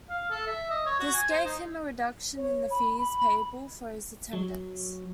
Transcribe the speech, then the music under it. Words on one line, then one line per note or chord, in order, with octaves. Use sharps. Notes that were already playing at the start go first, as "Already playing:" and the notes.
This gave him a reduction in the fees payable for his attendance.
F5
A4
E5
D#5
C#5
F#4
G#5
C5
D#4
C#5
B5
B5
F#3